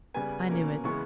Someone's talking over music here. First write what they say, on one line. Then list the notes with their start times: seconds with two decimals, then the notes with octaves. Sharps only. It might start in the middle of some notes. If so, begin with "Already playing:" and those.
"I knew it."
0.14 C#3 G3 B3 G#5
0.49 B2 A#3 C#4
0.84 C#3 E3 G#3 B3 C#6